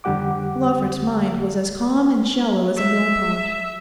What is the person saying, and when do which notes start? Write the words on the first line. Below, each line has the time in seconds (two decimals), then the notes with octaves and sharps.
Lawford's mind was as calm and shallow as a millpond.
0.04 F2 D3 G3 G4 F#5 D6
2.77 E5